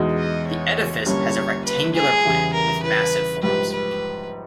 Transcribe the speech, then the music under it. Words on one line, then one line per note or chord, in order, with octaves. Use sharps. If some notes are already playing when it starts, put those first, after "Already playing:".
The edifice has a rectangular plan, with massive forms.
Already playing: E2 B2 G#3 D#4
D#5
C#5
G1 G2 G3 A#3 C#4 C#5
B4
G#4
E2 C#3 E3 G3
A#4
B4
A#1 G#2 G3 B4
B4